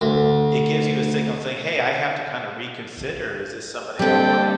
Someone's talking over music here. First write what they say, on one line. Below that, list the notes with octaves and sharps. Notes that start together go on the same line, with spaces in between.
it gives you a signal saying, "Hey, I have to kinda reconsider, is this somebody I wanna,
D2
D3 G3 A#3 C4 A4 G5